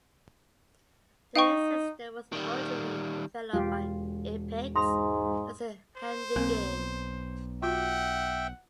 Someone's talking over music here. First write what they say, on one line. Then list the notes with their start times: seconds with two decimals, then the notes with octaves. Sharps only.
The Lynx system was originally developed by Epyx as the Handy Game.
1.36 D#4 F5 G5 C#6
2.32 D#3 G3
3.53 E1 F4 G4
4.76 G#2 A#5 C6 D#6
5.96 C5
6.36 B1 A#3 C4 A#4
7.62 F4 F#4 E5 F#5 G5